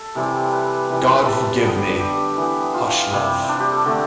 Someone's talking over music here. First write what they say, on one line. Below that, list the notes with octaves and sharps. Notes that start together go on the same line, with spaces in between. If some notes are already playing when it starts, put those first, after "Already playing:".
God forgive me! Hush, love!
Already playing: A4
C3 E3 G3 C4
B4
C3 E3 G3
B4
A4
D3 G3 B3
G4
E3 B3
F4
C3 G3 C4
D4
G4
A4
D3 A3 C4